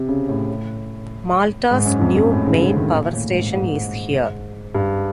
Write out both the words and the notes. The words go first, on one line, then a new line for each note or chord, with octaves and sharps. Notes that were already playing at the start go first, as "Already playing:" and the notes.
Malta's new main power station is here.
Already playing: C3
C#3
A2
G#2
F#2
F2
F#2
A2
C#3
D3
D#3
A#2
A2
G#2
G#2
G2